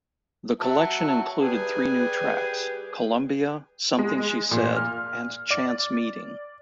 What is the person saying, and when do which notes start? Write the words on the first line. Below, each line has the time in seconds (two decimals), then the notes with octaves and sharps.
The collection included three new tracks, "Columbia", "Something She Said", and "Chance Meeting".
0.60 F#3 E5 A5
1.40 G3 G4 G#4 B4
3.98 G#3
4.51 A#2
4.76 F6
5.50 D5